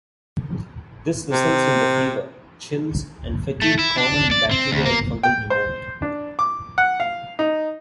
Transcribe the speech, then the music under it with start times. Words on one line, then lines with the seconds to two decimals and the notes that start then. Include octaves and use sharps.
This results in the fever, chills, and fatigue common in bacterial and fungal pneumonia.
1.31 C3
3.62 A3
3.79 E4
3.97 D4
4.31 D5
4.51 C4
4.71 D2
4.86 A#3
5.23 G5
5.50 C5
6.02 D4
6.39 D6
6.78 F#5
7.00 F5
7.39 D#4